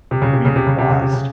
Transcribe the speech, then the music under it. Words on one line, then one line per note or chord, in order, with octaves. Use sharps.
we've lost.
C3
C#3
C3
C#3
C3
C#3
C3
C#3
C3
C#3